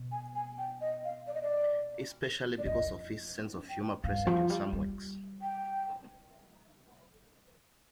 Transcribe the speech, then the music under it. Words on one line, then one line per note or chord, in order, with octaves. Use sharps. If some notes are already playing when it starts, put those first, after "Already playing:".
Especially because of his sense of humor present in some works.
Already playing: B2
G#5
G#5
G5
D#5
F5
D5
D#5
D5
D5
F2 D#5
G5
G2 F5
F3
G3
G3
G5